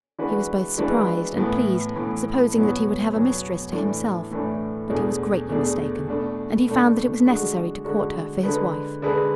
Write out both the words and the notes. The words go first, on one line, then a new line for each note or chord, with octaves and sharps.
He was both surprised and pleased, supposing that he would have a mistress to himself; but he was greatly mistaken, and he found that it was necessary to court her for his wife.
E3 G#3 D4 F#4 B4
E3 G#3 D4 F#4 B4
A2 E3 B3
A2 E3 B3
E2 B2 F#3 B3
E2 B2 F#3 B3
A2 E3 A3 D4
A2 E3 A3 D4
E2 B2 A3 D4 G#4
E2 B2 A3 D4 G#4
B2 A3 D4
B2 A3 D4
D3 G#3 D4 F#4
D3 G#3 D4 F#4
D3 G#3 D4 G#4 B4
D3 G#3 D4 G#4 B4